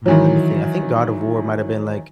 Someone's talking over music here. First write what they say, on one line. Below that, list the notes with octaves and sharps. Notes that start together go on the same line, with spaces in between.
mm, lemme think I think God of War might have been, like
D#3 E3 F#3